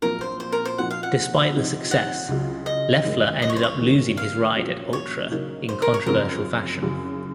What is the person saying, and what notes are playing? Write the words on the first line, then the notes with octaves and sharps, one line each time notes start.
Despite the success, Leffler ended up losing his ride at Ultra in controversial fashion.
A#1 A#2 F#3 C4 F4 A#4
C5
C5
A#4
C5
A#2 F3 C4 D#4 F#4 F#5
F5
F#5
C3 F3 C4 D#4
F#5
C#2 C#3 F#3
D#5
F#2 D#3 G#3
D#5
C#5
C5
C#5
D#2 D#3 G#3
F5
A#1 A#2 F#3 C#4 F#4
C#5
C#3 F#3 A#3 D#4
C5
A#4
C#5
F#2 C#3 F3 C4 A#4
F#2 C#3 F#3